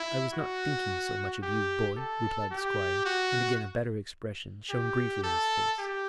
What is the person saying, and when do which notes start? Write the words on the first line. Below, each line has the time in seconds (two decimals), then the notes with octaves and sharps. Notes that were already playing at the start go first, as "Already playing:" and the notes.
"I was not thinking so much of you, boy," replied the Squire; and again a better expression shone briefly in his face.
Already playing: E4
0.34 F#4
1.43 G4
1.97 A4
2.51 G4
3.05 F#4
4.70 G4
5.23 A4
5.79 G4